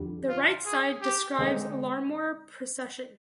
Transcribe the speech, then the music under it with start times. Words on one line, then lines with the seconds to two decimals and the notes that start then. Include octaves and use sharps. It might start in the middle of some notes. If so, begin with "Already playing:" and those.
The right side describes Larmor precession.
Already playing: F2 D3 G3
0.28 F4
0.66 G#4
1.02 G4
1.38 D3 G#3 C4 D#4